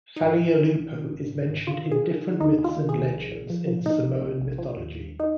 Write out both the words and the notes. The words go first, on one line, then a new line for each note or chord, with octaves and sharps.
Falealupo is mentioned in different myths and legends in Samoan mythology.
D#4
G#1 F4
G#1
D#3
G#1
D#3
G#1
G#1
G#1
D#3 F4
D#3
G#4
D#3
D#3
D#2 D#4
D#2
F4
D#3
G#4
D#2
A#1
A#1
F3
F3
A#2 D#4
A#1
A#2
A#1
F3
D#2
D#2
D#4